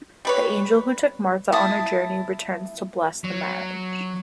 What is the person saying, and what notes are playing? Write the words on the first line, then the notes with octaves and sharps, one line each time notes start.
The angel who took Martha on her journey returns to bless the marriage.
G3 B4 C#5
E4 A5 D#6
F#3